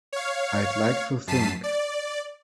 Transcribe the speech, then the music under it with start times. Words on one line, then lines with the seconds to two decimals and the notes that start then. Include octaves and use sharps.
I'd like to think.
0.13 C#5 F5
1.27 F#2 A5 B6 C7 D#7
1.63 D5